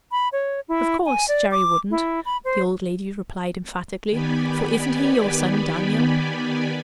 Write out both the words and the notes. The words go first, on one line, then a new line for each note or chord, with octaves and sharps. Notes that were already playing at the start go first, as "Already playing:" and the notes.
"Of course, Gerry wouldn't," the old lady replied emphatically, "for isn't he your son, Daniel?"
B5
C#5
E4
G#5
D5
D6
E4
B5
C5
D#3 B3 G4 D5 G#5 B5